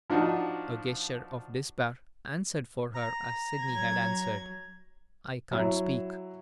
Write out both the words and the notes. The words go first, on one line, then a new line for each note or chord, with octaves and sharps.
A gesture of despair answered for her as Sydney had answered: "I can't speak!"
F3 D4 D#4 F#4
A#5
F#3 G#6
F#3 E4